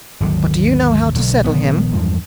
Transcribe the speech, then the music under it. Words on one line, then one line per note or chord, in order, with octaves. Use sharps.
'But do you know how to settle him?
G#1 D#2 D3 F#3
B1 D3
A#1 D#3 B3
E2 G2 F3 G#3